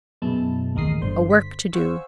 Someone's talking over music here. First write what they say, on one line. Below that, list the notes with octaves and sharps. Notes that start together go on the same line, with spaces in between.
A work to do.
F#2 B2 G#3 E4 A5
A1 D#2 G#3 A#4 D#6 C7
G1 D3 C5 C6
B6
C5 F5 F#5 G#5 C#6 E6